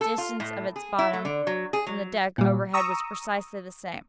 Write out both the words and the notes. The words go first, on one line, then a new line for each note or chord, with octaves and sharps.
The distance of its bottom from the deck overhead was precisely the same.
A4
F4
A2
G#4
E4
A3
D3
F#3
G#4
F#3
A#2 G3
A#5 C#6 D#6 E6